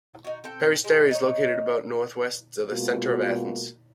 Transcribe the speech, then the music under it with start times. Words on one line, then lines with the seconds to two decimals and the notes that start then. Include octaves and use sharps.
Peristeri is located about northwest of the centre of Athens.
0.25 D#4 F#4
0.44 C4 A4 G5
0.84 G#3
1.11 D#4 C#5
2.69 B2 G#3 A#3 F4 F#4